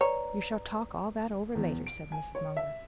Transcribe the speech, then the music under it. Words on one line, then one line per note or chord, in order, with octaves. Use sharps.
"You shall talk all that over later," said Mrs. Munger.
B4 C#5 D5 A#5
E2
D7
G#5
C#5
E5